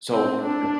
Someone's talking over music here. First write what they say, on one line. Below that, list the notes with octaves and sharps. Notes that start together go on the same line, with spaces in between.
So the
C4
D4